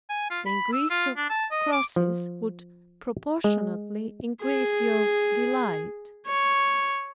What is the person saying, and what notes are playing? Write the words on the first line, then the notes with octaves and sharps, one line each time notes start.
The increase of crosses would proportionately increase your delight.
G#5
F4
B5
E6
F4
D4
A5
D#5
D6
F3
G#3
G#4
C#5